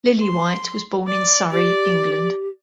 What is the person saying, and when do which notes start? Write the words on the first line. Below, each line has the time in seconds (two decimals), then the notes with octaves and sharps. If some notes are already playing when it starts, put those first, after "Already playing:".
Lillywhite was born in Surrey, England.
0.20 C6
1.08 D5
1.52 G4 D5